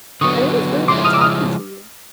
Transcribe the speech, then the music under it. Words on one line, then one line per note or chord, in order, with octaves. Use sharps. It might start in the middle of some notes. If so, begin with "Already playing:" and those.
But it was really good talking to you.
D3 F#3 B3 C#6 D#6
C#3 F3 G#3 C#4 E4 C6 D6
D#6 F6
D6 E6
D#6 F6